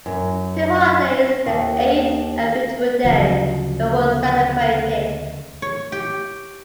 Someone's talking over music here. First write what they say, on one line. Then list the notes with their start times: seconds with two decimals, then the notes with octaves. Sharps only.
Two holidays, the Eighth and Victory Day, were once celebrated.
0.06 F#2
1.46 D#2
3.05 D2 C#3 F3 F#3
5.62 C#5
5.92 G4